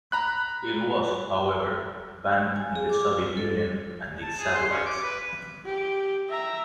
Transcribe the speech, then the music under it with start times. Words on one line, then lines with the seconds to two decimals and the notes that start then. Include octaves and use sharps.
It was, however, banned in the Soviet Union and its satellites.
0.12 A#5 B5 F#6
2.56 G#5
2.75 G#4
2.90 D6
3.13 F4
3.37 A4
4.23 A5
4.39 G#4
4.54 C6
4.71 C#4
4.86 D6
5.03 B4
5.65 G4
6.30 E5 A#5